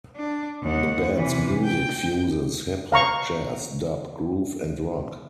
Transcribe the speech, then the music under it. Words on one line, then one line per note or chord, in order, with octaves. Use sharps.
The band's music fuses hip hop, jazz, dub, groove and rock.
D4
D#2 F#5
C3 E3
G5
F5 A#5 C#6